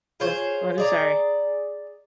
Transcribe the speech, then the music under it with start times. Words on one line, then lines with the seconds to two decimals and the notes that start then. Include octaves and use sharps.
oh, I'm sorry,
0.20 F4 G#4 C5 C#5
0.78 G#4 D5 A#5